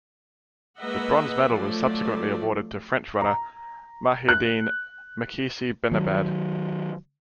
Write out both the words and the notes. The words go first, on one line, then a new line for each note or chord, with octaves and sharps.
The bronze medal was subsequently awarded to French runner Mahiedine Mekhissi-Benabbad.
G#3 A#3 B4 D#5 E5 F#5
F3 F#3 A3 D5
A#5
F#6
D#3 F#3